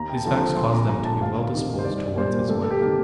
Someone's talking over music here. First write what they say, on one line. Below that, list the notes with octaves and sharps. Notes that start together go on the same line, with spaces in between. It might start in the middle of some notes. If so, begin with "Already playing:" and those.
These facts caused them to be well disposed towards his wife.
Already playing: D#2 A#5
G5
A5
D3 F3 C4 A5
A#5
A#1 C6
A#5
A#2 A3 A#5
A5
D2 F5
C3 D#3
C5
C2 D5
D5
A#2 G3 A#3 C5
D2 A4
A4
G4
C3 D#3 A#3